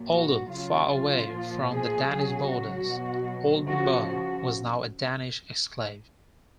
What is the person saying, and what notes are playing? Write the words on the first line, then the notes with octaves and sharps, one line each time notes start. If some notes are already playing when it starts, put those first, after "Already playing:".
Although far away from the Danish borders, Oldenburg was now a Danish exclave.
Already playing: A#2 F#3
F#4
C#3 F#3 F4
F4
A#2 F3
G#4
C#3 F#3
F#4
B2 F#3
C#3 F3 F#4
F#4